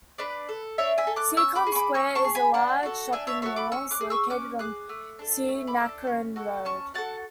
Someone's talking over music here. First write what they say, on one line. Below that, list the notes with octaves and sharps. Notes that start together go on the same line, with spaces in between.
Seacon Square is a large shopping malls located on Si Nakharin Road.
D4 B4 D5
A4
D4 C#5 E5
E5 G#5
A4
D6 F#6
C#4 C#6 E6
B5 D6
G#4
C#6
B5 D6
C#4 C#6 E6
A5 C#6
G#4
G#5 B5
D4 F#5 A5
F#4 A4
D4 E5 G#5
C#5 E5
F#4 A4 C#5 E5
B5 D6
C#4 C#6 E6
D6 F#6
G#4
C#6 E6
C#4 D6 F#6
G#4 D6 F#6
A3
D4 A4
A3
B5 D6
D4 A4
C#4
F#4 A4
C#4 A5 C#6
F#4 A4 F#5 A5